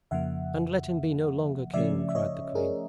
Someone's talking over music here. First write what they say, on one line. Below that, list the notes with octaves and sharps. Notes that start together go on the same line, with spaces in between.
"And let him be no longer king," cried the queen.
F2 C#3 F3 A#3 E5 F#5
C#3 F3 A3 C#4 D5 E5
E5
C#5 D#5
G#4 A#4